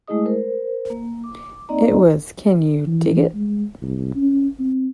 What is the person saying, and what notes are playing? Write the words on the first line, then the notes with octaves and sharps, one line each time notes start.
It was Can You Dig It?
G#3 A3 E4 G#4 D#5 D#6
A#4 C5
A#3
D6
A#3 C4 D#4 D5 D#5 A#5
E3
G#3
C2
C#4
C4